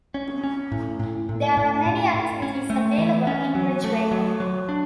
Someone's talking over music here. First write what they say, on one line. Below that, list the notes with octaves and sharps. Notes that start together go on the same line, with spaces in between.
There are many activities available in Ridgway.
C#4
C#4
A2
A2
A2
A2
A2
A2
C#4
A3
E3
C#4
F#3
A3
F#3
F#3
D4